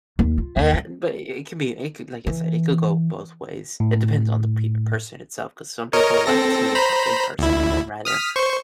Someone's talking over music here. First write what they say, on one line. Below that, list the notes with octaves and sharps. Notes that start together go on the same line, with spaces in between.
and but i it could be it could like I said, it could go both ways, it depends on the peop person itself, 'cause some people like to talk in person than rather
D#2
F4
D#2
G#3
E3
A2
A#4 C#5 D#5
C4 A4 A#6
C5 A#5 B5
D2 E4
D#6 F6 B6
C5 C#6